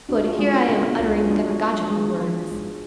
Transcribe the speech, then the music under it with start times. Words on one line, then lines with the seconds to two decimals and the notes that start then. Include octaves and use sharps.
Good, here I am uttering demagogical words!
0.09 C#2 D4 F#4
0.24 F4 G#4
0.39 G#3 D4 F#4
0.54 C#4 F4
0.69 B2 B3 D4
0.88 D4
0.99 C#2 C#4 F4
1.30 G#3 D4 F#4
1.60 G#3
1.90 G#3 F4 G#4
2.20 F3
2.51 G#1